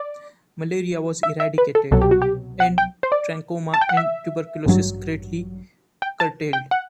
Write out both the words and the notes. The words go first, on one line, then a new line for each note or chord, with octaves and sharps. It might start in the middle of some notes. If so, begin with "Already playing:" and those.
Malaria was eradicated, and trachoma and tuberculosis greatly curtailed.
Already playing: D5
E5
E5
B4
A4
C2 B2 F#3 A4
G4
F#4
G4
F#5
G5
C5
D5
A5
G5
F#5
E5
A1 G2 F#3
G5
A5
G5
F#5